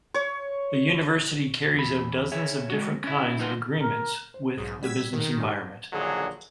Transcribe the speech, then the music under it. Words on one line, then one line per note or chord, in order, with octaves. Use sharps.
The university carries out dozens of different kinds of agreements with the business environment.
C#5
E2 B5
G#4 C#5 E5
G#3 F#4
C#4 E4
D#4 F4 B4 C5 F#5 C6
A#4
C5
B1 G#2 G#4
G3 F#4 E6 G#6 B6
D#3 A#4
G#2 G4
A#1 D3 D#3 F#3 G#4